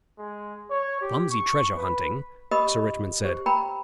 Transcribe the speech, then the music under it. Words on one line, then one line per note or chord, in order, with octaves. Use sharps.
"Clumsy treasure hunting," Sir Richmond said.
G#3
C#5
G4
C#6
B4
G4 A#4 D#5 B5 D#6
G4 C5
A#4 G5 A#5 B5